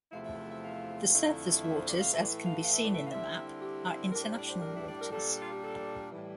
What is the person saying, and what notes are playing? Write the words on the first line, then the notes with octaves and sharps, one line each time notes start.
The surface waters, as can be seen in the map, are international waters.
E2 C3 F3 A3 E4 F5
E5
E5
F5
F2 D3 A3 E4
E5
C5
D5
F5
A2 E3 A3 E5
D5
E5
F5
F5
E5
D5
E5
F5
D3 G3 C4 E4 E5
G4
A2 G3 D4 A#4
C5
D5
C5
A#4
E4
D5
A#4
A#2 G3 D4 A4
F4
G4
A4
A2 E3 G3